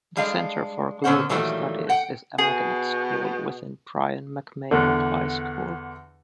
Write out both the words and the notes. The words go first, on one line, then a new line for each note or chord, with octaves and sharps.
The Center for Global Studies is a magnet school within Brien McMahon High School.
G3 G#3 D4 F5
A#2 D3 B3 C#4 C5 F#5
A#2 D#3 E3 F#3 G3 A3
F#5 G5
B2 G#4
E2 D3